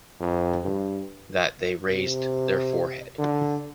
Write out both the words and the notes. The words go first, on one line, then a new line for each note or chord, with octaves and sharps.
That they raised their forehead.
F2
G2
C3
D3